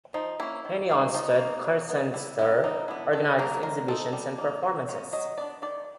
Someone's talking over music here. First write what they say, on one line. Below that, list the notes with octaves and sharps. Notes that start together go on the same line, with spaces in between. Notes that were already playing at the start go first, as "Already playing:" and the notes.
Henie Onstad Kunstsenter organizes exhibitions and performances.
F3 D#4
A#3 C#4 E4
D#3
G#3 C4 D#4
F3 D#4
A#3 C#4
F#3
B3 D#4
G3 E4
B3 D#4 E4
G3 D#4
B3 D4 E4
D#3 A4
F#3 A#3 D4 A#4
G#3 A#4
C4 D#4 A4
G3
A#3 D#4
E3
G#3 C#4
F#3 D#5
B3 D4 D5
D#3 D5